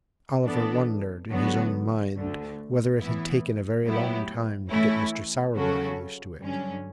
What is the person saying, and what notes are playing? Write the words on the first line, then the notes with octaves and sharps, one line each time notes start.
Oliver wondered, in his own mind, whether it had taken a very long time to get Mr. Sowerberry used to it.
E3 B3 D4 A4
D3 F#3 B3 F#4
D2 D3 A3
A2 E3 B3 E4
A2 F#3 B3 E4 G4
E3 A3 C#4 E4
C#3 F#3 C#4 F#4 A4
G2 D3 F#3 C#4